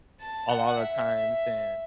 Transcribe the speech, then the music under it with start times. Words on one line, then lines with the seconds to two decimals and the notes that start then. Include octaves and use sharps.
a lotta the times, and
0.21 A5
0.49 F#5
0.79 E5